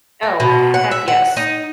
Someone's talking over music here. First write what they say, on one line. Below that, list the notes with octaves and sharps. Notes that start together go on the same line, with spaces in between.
Oh, heck yes.
A#3
B2
F#5
E5
F#5
D#4